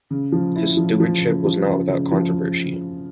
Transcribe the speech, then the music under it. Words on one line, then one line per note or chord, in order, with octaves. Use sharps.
His stewardship was not without controversy.
C#3
F3
E4
F3
F3
C#3
F3
C#3
C#3
F3